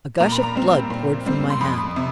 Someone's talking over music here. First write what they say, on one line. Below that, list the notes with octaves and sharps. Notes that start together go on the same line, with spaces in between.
A gush of blood poured from my hand.
A#2 A#5
B5
A#5
G3 C4
A#2
G3 C4
C6
F2 B5
C3